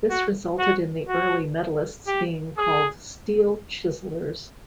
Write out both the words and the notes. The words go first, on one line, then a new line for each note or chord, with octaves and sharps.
This resulted in the early medalists being called steel-chiselers.
F#4
F#4
F#4
G4
G#4